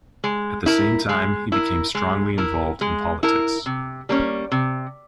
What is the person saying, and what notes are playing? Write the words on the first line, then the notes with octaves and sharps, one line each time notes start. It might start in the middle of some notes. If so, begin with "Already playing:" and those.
At the same time, he became strongly involved in politics.
G#3
E4 A#4
G#3
E4 A#4
G#3
E4 A#4
G#3
E4 A#4
C3
G3 A#3 C#4
C3